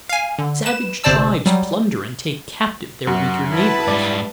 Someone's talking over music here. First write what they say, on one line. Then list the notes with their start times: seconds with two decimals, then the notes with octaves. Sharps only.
Savage tribes plunder and take captive their weaker neighbors.
0.09 F5 G#5
0.38 D3
0.66 B4 E7
1.04 G1 C3 C5 D5 A5 E6
1.46 F#3 G3
3.07 F#2 F#4
3.51 E4 B4 F#5 A5
3.88 G#2 G3 D5